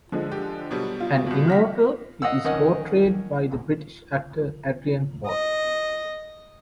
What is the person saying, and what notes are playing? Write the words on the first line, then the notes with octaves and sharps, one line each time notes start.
An Immortal, he is portrayed by the British actor Adrian Paul.
D3 F3 G#3
G4
B2 F#3 G3
F4
C2 B2
F6 A#6 B6
D#5 F5 F#5 E6
D#3 C#4 D#5 F#5
D#5